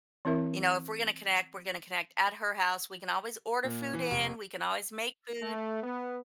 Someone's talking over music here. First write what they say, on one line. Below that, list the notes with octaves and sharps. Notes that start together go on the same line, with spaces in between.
you know, if we're gonna connect we're gonna connect at her house, we can always order food in, we can always make food,
E3 C4 E4 A#4 E5
A#2
E3
F1
A3
B3